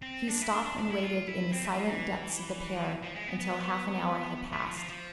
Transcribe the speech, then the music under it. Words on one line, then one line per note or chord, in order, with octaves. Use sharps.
He stopped and waited in the silent depths of the pear until half an hour had passed.
C4
D4
E4
D4
D4
D4
E4
F4
E4
C4
A3
F3
E3
F3
G#3
B3
B3
A3
F3
F3
F3